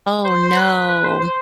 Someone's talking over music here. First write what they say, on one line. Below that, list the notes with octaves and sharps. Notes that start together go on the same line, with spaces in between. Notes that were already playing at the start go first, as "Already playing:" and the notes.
Oh, no.
C5
C5
B4
B4
C5
C5